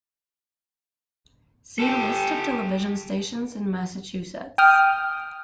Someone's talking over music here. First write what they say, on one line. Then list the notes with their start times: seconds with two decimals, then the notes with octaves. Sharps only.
See List of television stations in Massachusetts.
1.80 G4 A4
4.58 G5 D#6 F6